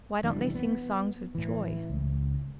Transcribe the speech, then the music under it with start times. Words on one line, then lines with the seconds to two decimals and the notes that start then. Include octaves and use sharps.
Why don't they sing songs of joy?
0.23 F1 E3 G3 D4
0.55 B3
1.35 A2 E3
1.90 C#2